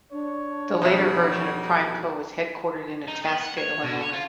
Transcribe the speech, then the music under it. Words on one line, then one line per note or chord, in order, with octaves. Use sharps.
The later version of PrimeCo was headquartered in Itasca, Illinois.
D4 C#5
F2 B2 G3 D#4 F#4 E5
D#4
B3
F#5
C#5
B2
C#5
F4